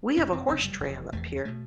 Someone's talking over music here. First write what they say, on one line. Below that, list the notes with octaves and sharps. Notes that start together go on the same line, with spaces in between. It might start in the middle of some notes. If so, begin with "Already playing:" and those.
we have a horse trail up here
F#1 F2 C3 C#4
C4
F#1 F2 C3 C4
G3
F1 E2 C3
F1 E2 C3 A3
B2 A3